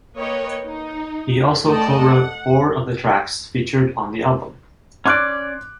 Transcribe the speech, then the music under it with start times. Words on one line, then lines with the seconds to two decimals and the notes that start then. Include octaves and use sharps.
He also co-wrote four of the tracks featured on the album.
0.19 A#3 B4 C#5 D#5 G5
0.64 D#4
1.65 A3 A4 D5 D#5 G5 A5
2.04 F#5
5.06 C#4 D5 C6 D6 F#6